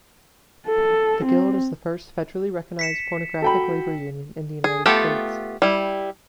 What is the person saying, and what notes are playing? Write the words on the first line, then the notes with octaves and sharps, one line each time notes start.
The guild is the first federally recognized pornographic labor union in the United States.
A4
C4
B6 C#7 E7
F#4 A4 G5 B5
G#4
A3 B3 F4 G4 A4
G3 E4